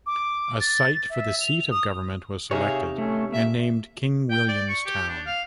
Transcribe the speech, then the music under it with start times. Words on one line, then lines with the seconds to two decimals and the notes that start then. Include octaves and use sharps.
A site for the seat of government was selected and named King William's Town.
0.07 D6
0.61 A6
1.10 E5
1.41 F7
1.71 D#6
2.51 C3 D#4 G#4 C#5 E5 F5
2.98 A3 C#4
3.32 A#3 E5
4.30 G5
4.48 D5
4.69 C#6
4.86 G4
5.08 D4
5.26 F5